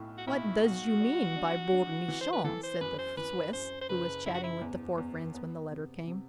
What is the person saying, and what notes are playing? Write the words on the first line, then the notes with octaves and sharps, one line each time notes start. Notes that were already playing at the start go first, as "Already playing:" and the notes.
"What does you mean by boor Michon?" said the Swiss, who was chatting with the four friends when the letter came.
Already playing: B1 A2
F#4
B1 E4
B1 F#4
G3
D4
D4
E3
C5
B4
E3 A4
C5
F#2 B4
C5
E3 B4
F#2 C5
C5
F#1 B4
F#1 E4
F#4
E4
E2
E2
B3
C3
C3